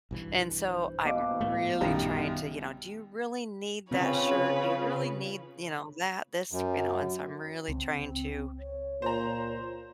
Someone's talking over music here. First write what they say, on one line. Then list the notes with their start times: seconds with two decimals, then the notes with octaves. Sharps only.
and so, I'm really trying to, you know, "Do you really need that shirt? Do you really need, you know, that, this?" You know? And so I'm really trying to
0.11 B1 G2 E3
0.68 C5
1.05 B2 F5 D6
1.41 C#2 A2 A3
1.81 A#1 F#2 D#3 G3
3.91 C#3 C4 C#4 F4 B4 C#5
6.52 F#2
7.68 C#2 C4
8.59 C#5
9.02 A#2 C5 A#5